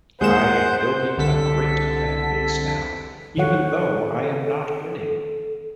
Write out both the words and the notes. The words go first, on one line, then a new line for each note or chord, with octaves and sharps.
I am building a great fan base now, even though I am not winning.
D#2 G#3 A#3 G#4 C5 F#5 G6 E7
C2 D3 A4 B6
D#3 A4 C#5 F#5